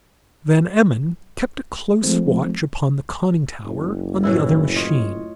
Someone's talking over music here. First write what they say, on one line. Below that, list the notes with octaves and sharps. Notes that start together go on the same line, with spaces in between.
Van Emmon kept a close watch upon the conning tower on the other machine.
F3 G#3 A3 C4
F#1
A2 E3 E4
F4 C#5 D#5